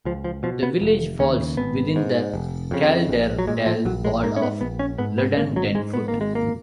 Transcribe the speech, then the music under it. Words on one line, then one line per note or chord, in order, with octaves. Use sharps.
The village falls within the Calderdale Ward of Luddendenfoot.
C#2 F3
F3
B2 F3
B3
F1
D#2 C#3 C#4
G#1 B3
G#2
F1
F2 C#3
A#1
F#3
A#2 G#3
F3
A#1 F#3
G#3
G#2 A#3
C#4
B3
A#1 B3
C#4
G#2 B3
B3
G#1 A#3
F#3
G#2 G#3
B3
G#1 A#3
G#3
A#3